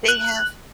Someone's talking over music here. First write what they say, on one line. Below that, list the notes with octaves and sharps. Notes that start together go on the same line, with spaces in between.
they have
F#6